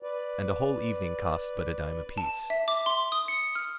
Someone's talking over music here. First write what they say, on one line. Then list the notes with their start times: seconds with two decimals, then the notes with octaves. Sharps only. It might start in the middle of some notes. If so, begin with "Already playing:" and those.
And a whole evening costs but a dime apiece.
0.03 B4 D5
2.18 A5
2.50 E5
2.68 D6
2.86 C6
3.12 D#6
3.28 C#7
3.55 F6